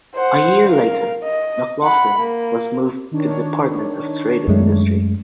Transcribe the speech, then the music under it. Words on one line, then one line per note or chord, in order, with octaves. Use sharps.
A year later, McLoughlin was moved to the Department of Trade and Industry.
C5 F#5
A#4 F5
D#5
F#5 B5
A#3
D#3 D4 C#5
F#2 G#3 A3